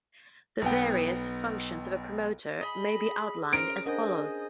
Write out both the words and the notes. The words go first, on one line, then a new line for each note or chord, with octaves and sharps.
The various functions of a promoter may be outlined as follows.
B1 B3 G5
G#4 D#5 B5
C#4 A#4 C5 D7
D4 G#4 A#4 C5 D#5 F#5